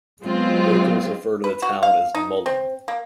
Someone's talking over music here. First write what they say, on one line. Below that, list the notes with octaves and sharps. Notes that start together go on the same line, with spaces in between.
Locals refer to the town as "Mullum".
F#3 G#3 B3 C4 F4
B4
F#4
F5
D#4
C4
A#3